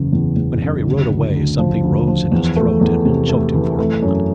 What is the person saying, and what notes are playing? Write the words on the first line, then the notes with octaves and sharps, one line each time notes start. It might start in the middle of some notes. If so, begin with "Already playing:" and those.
When Harry rode away something rose in his throat and choked him for a moment.
Already playing: F#1 E2 C#3
E2
E2
F#1
D2
D2
D2
F3
D2
F3
E2
A3
E2
C3
A3
E3
A3
F#2